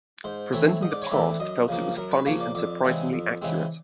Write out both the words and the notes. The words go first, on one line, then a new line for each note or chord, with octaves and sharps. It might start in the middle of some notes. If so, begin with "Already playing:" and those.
Presenting the Past felt it was "funny and surprisingly accurate".
G#2 C5
E3 A3 C4 C#5
G#2 D#5
D5
C#5
E3 A3 C4 D5
F#2 D#5
C#3 F3 A#3
F#2 A#4
B4
C#3 F3 A#3 C#5
D5
F2 D5
C#3 E3 G#3 C4
F2
C#3 E3 G#3 C4